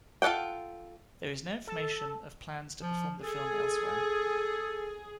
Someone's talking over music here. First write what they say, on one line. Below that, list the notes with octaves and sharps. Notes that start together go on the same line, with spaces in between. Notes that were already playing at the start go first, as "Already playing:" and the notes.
There is no information of plans to perform the film elsewhere.
F4 A4 D5 F#5 G5
A4
F3
G#4 A4